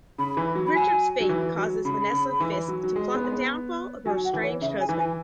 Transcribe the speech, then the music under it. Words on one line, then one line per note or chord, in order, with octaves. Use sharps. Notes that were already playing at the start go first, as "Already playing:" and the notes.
Richard's fate causes Vanessa Fisk to plot the downfall of her estranged husband.
C#3 B5
E3
F#3
B5
G#5
F#3
E3
F#3
C#3 B5
C#3
E3
F#3
F#3
G#3
B3
G#3
B3
F#3 G#5
F#5
E3
C#5
C#3 E5
G#5
E3
G#5